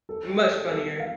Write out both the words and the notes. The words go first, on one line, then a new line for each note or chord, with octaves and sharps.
Much funnier.
A4
G4
A4
A4
F5